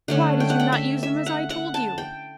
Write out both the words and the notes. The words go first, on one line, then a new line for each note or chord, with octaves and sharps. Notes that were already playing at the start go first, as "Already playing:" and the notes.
Why did you not use them as I told you?
D3 A3 C#4 F#5
G5
F#5
G5
E5
E5
F#5
F#5
A5
G5